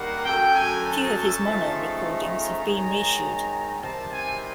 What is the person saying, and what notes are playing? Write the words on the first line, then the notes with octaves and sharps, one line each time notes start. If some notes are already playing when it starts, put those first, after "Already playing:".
Few of his mono recordings have been reissued.
Already playing: D#3 G3 A#3 F#5
F#2 D3 F#3 A3 G5
G#5
A5
C#3 F3 A3 C4 D#4
A#5
G#2 D#3 F#3
C3 D#3 G3 C4 A5
G#5